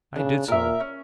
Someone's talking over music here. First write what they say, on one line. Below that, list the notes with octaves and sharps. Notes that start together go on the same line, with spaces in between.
I did so.
C#3 D4
A#2 A#4 E5
C#4